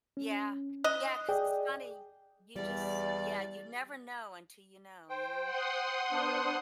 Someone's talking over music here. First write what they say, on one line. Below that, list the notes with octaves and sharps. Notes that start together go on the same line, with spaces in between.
Yeah. Yeah, 'cause it's funny, you just yeah, you never know until you know, you know?
C#4
D#5 F#6
G#4 D5 G5
E2 G3 D5
C5 G5
F#5 C6 D#6
B3 D4 C5